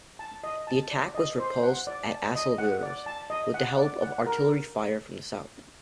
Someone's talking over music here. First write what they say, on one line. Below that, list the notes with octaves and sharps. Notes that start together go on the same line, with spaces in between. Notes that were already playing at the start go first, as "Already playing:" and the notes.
The attack was repulsed at Assevillers, with the help of artillery-fire from the south.
A5
D#5
A5
D5
D#5
C5
F#5
D5
A5
D#5
F#5
D5
A5
D#5
F#5
D5
F#5
A#4